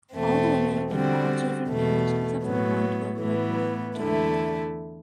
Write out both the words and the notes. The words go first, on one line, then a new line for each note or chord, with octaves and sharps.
All women and all children perished except for one twelve-year-old boy, John Hindley.
E2 B2 A3 C4
D3 G3 C4 F#4
E2 B2 A3
A2 F#3 B3
A2 E3 B3
E2 D3 A3 E4